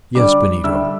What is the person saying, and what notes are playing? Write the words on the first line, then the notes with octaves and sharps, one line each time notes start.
"Yes, Benito."
D3 G3 D4 D5 D6
D3 G3 D4 E5 E6